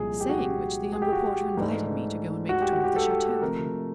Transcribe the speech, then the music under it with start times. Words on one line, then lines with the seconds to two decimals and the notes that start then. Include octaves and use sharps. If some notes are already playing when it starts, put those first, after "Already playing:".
Saying which the young reporter invited me to go and make the tour of the chateau with him.
Already playing: C2 A#2 F3 G#3 G#4
0.21 G4
0.29 F#4
0.39 G4
0.93 G#4
1.02 G4
1.13 F#4
1.57 G#2 E3 A3 D4
2.49 F#4
2.62 G4
2.73 F#4
2.84 G4
2.96 A4
3.42 C3 F3 A3 A#4